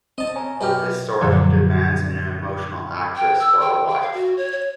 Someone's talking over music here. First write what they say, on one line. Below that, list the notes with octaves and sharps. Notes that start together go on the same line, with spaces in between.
This sort demands an emotional actress for a wife.
C4 D#5 A5
C#5 G#5 A#5
F#2 B2 G4 B4 F6
F#2 A#2 D3 F3 F#3
G5
E6
G5
G5
F5
F#4
C#5
C#5